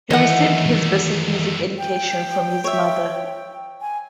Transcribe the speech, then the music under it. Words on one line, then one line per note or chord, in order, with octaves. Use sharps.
He received his basic music education from his mother.
F#2 D#3 E3 A3 D#5 F#5
G5
C#5 E5
G#5